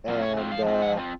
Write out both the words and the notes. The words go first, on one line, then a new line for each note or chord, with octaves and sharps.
and, uh,
F#3 C4 F4
C#3 C#5
F#3 C4 F4
F3 F5
C4 F4
F3 F#5
C4 F4